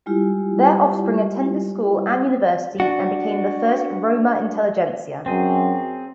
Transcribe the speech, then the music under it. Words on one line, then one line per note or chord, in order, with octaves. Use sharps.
Their offspring attended school and university and became the first Roma-intelligentsia.
G3 G#3 E4 F4 G4
D4 F#4
F#2 C4 G#4